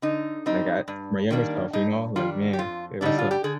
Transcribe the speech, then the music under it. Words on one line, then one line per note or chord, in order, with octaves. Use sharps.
they got my younger self, you know, like, "Man, hey. What's up?"
D3 D#4
G3 C4 D#4
G2
D#3 G3 A#3 D4
G2 D#4
D#3 G3 D4 F4
G4
F2 F4
D3 G3 D4 D#4
F4
G4
D3 G#4